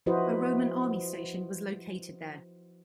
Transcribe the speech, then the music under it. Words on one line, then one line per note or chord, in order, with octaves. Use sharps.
A Roman army station was located there.
F3 E4 F#4 B4 C5 D#5